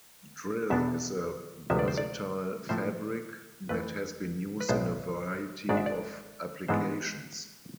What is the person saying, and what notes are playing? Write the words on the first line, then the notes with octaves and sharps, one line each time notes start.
Drill is a versatile fabric that has been used in a variety of applications.
E2 B2 B3 D4 E5
D2 C3 F3 G#3 E5
D5
C5
D5
A2 F3 A3 C5
F2 E3 A3 B4
B4
B1 A2 G#3 B3 C5
G#1 G#2 G#3 D4 D5
E5
D5
G#2 E3 G#3 B3 D4 C5